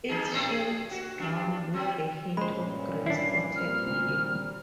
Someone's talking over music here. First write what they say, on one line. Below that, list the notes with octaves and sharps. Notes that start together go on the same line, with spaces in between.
Its shell is brown with a hint of green, spotted yellow.
E3 D#4 G#4
A2 C4 D4
G#4
F#4
G2 D4
F#3 G3 C4
G2 A#2 G#3 C#4 C5 B5
D4 E4 C7
A#2 G3 C4 F6